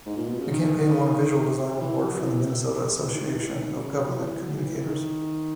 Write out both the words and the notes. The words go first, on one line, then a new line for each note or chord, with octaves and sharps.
The campaign won a visual design award from the Minnesota Association of Government Communicators.
G#2
A#2
B2
C#3
D#3
E3
F#3
E3
E3
D#3
D#3
E3
D#3
B2
C#3
F#3
E3
F#3
D#3
E3
D#3